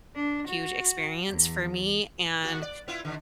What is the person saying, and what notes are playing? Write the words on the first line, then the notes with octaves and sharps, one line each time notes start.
huge experience for me, and
D4
F#4
E2
D#2 F#4
D5
B3 E4 F4
B2 D3 D#3